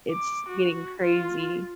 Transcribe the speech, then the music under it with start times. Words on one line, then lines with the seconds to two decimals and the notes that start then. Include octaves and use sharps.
it's getting crazy.
0.11 D6
0.49 F#4
1.00 F4